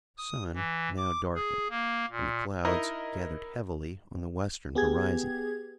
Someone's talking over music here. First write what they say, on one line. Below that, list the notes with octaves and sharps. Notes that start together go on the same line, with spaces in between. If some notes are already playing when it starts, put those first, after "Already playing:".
The sun now darkened and the clouds gathered heavily on the Western horizon.
D#6
E3
D6
G#4
A#3
A#2
D#4 E4 A#4 D#5
B3 G4 G#4 G#6